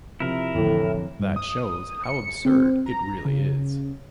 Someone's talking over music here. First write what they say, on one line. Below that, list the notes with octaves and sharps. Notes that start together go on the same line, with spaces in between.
That shows how absurd it really is.
C3 F3 E4 A#4
F2 A2 D3 E3
G2
D#6
C#7
C4
A#5
C#3